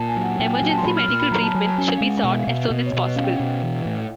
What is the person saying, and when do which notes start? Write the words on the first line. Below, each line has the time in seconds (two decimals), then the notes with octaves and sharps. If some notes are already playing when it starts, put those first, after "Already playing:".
Emergency medical treatment should be sought as soon as possible.
Already playing: A#2 A5
0.08 G#5
0.16 F#3
0.23 F#5
0.39 A#2 G5
0.54 G#5
0.62 F#3
0.70 A5
0.78 C6
0.85 A#2 B5
0.97 F6
1.08 A#2 F6
1.19 B5
1.31 F#3 A#5
1.43 A5
1.55 F#3 G#5
1.66 A5
1.78 C#4 G#5
1.98 G#3 F5
2.08 F#5
2.24 B2
2.30 E5
2.39 F5
2.47 B2
2.55 E5
2.70 B2 D#5
2.86 C#5
2.93 B2
3.01 D#5
3.16 C#4 F5
3.24 G5
3.31 F#5
3.40 B2
3.47 G5
3.63 E3
3.86 A2